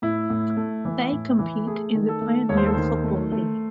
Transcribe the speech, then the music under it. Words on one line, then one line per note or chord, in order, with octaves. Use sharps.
They compete in the Pioneer Football League.
A2 E4
A2
A3
E3
A2
E3
A3 G#4
D#3
A4
A3
D#2 C#5
C5
A4
D#3 C5
A3
A3